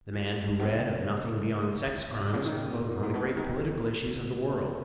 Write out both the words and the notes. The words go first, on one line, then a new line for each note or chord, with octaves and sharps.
The man who read of nothing beyond sex crimes could vote on the great political issues of the world.
G#2
G#2
B2
C#3
C#3
C#3
C#3
B2
G#2
C#3
D#3
C#3
B2
G#2
F#2
G#2
B2
C#3
D#3
C#3
D#3
C#3
D#3